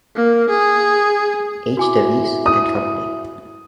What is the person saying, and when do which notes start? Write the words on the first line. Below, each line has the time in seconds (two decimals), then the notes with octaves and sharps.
H. Davies and Company.
0.16 A#3
0.50 G#4
1.77 E4 F#4 G#5 D6
2.46 D#6